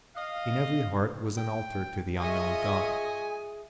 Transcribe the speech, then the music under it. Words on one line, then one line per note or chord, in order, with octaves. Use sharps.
In every heart was an altar to the Unknown God.
D#5 F5
G5
F4 G#4 D#5 E5 G#5 C#6 D#6